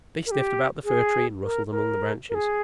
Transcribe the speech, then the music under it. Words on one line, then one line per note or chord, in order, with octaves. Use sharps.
They snuffed about the Fir Tree, and rustled among the branches.
A#4
G4
G#4
A#4
A#4
A#4
G#4